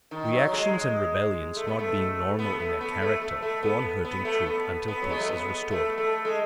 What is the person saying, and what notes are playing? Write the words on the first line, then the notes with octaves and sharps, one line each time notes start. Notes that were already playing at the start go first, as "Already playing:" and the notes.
Reactions and rebellions, not being normal in their character, go on hurting truth until peace is restored.
D#3
F#3
G#3
A3
B3
A3
B3
A3
B3
A3
A3
A3
B3
B3
A3
B3
B3
F#3
G#3
A3
B3
A3
A3
G#3